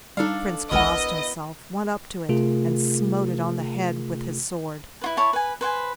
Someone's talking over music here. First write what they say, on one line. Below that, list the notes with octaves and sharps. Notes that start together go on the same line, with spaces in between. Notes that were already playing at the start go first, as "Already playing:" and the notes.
The Prince crossed himself, went up to it, and smote it on the head with his sword.
G3 D4 D#4 A4 F5
G#1 C#2 B3 E4 A#4 D#5 F#5
C3 A3 F4 G#4 A#4
E4 F4 B4
E4 C#5 A5
B4 G#5
B4 C5 G5 G#5